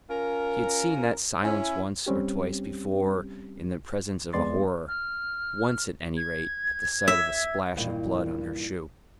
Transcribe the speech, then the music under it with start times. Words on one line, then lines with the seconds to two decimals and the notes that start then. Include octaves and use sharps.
He had seen that silence once or twice before in the presence of a horror--once at any rate, at the sight of a splash of blood on her shoe.
0.10 C#4 F4 A#4
1.43 C#4 E4
2.06 G3 C4 C#4 G4
4.33 F2 G#3 B3 D5 C6 A6
4.88 F6
6.17 G#6
7.08 E5
7.77 G2 A#2 D#3 E3